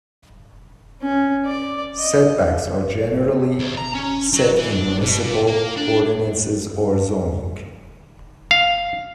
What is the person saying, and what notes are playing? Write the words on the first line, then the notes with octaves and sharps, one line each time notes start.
Setbacks are generally set in municipal ordinances or zoning.
C#4
D5
D#5
D2
A#5
C#4
F#3
E3
D4
B2
A#2
A#3
D4
F5